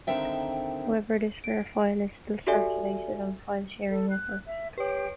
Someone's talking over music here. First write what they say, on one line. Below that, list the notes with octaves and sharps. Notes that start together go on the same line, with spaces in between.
However, this rare file is still circulated on file sharing networks.
D#2 D3 D#3 C4 E5 G5
D7
F#4 G4 A4 D5 E5 G#5
A4
F#6
E5
G4 B4 C#5